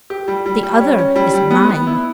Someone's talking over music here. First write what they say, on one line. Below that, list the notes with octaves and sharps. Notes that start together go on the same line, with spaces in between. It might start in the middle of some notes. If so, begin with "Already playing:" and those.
The other is mine.
G4
G3
G3
G3
C#4
C#4
G3
G3
B3
B3
E4